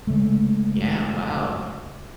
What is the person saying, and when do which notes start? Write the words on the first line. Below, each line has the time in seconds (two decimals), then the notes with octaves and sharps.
Yeah, wow.
0.07 C#3 G#3 A3